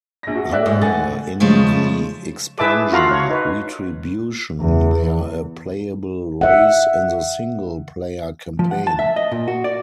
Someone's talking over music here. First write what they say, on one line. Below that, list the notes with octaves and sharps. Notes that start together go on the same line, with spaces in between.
However, in the expansion "Retribution", they are a playable race in the single-player Campaign.
A#1 A#6
F#4 G#4
D5 E5 F#6
G#2
A3 F#5 G#5 A6
C#3 F3 G#3 A3
E4 G#4 B4 E5 A5 D6
F4 F#4 A4 F5 A#5 B5
C#5
D#4 B4
E2
E5 F#5
F3
F#5
A5
E5
D#5
A#2
F#4
D5